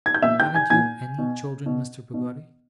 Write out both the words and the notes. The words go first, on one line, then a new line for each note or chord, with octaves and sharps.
'Haven't you ANY children, Mr. Peggotty?'
G#6
G6
A#2 E5 E6
G5 G6
G#5 G#6
A#2 G#5 G#6
B2
B2
B2